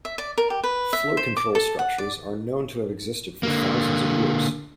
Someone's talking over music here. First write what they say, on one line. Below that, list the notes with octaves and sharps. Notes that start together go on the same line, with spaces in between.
Flow-control structures are known to have existed for thousands of years.
E5
D5
A#4
G4
B4
E5
C5
D6
A4
F#5
D5
D3 A#3